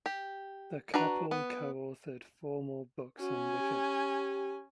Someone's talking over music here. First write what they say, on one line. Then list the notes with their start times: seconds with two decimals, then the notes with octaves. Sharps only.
The couple co-authored four more books on Wicca.
0.06 G4
0.94 D4 F#4 B4 A#5
1.31 B3
3.20 C#4 F#4 G#5
3.60 G4